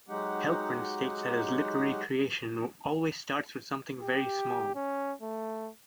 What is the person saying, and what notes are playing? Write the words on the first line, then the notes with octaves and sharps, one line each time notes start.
Helprin states that his literary creation "always starts with something very small".
F#3 G#3 D#4 G4 F#5
G4
C#4
A3